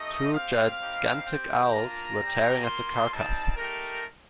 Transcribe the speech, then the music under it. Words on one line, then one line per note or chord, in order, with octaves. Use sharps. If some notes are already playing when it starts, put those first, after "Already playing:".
Two gigantic owls were tearing at the carcass.
Already playing: A3 D#4 G4 D#5
C4 G4 F5
G3 C4 D#4 G4
C4 G4 G5
A#3 D4 F4 A#5
G3 C4 G4
A#3 F4 C6
G3 C4 D#4 A5
A3 D#4 G4 A#4